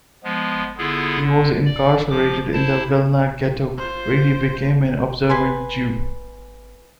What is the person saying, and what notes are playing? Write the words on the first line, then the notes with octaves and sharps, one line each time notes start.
He was incarcerated in the Vilna Ghetto where he became an observant Jew.
F3 G#3 B3
D3 B3 E4 F4 G#4 A4
D3
D5
F3 D6
E4 C5 A5
F4 C5
B4 G#5 C6